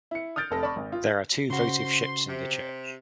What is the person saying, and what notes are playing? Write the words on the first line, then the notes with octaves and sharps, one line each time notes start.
There are two votive ships in the church.
E4 C#7
D#6 F6 G6 A6 D7
F1 A4 A#6
D5 A5 B5 C#6
G#1
F4
C#3 F#4 C5 C6
C3